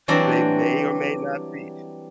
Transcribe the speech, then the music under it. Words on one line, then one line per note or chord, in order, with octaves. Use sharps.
They may or may not be
E3 F#3 G3 C4 D4 F#4